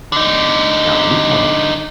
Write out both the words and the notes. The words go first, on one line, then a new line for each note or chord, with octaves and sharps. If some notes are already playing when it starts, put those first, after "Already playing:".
Now we talk
D3 D#4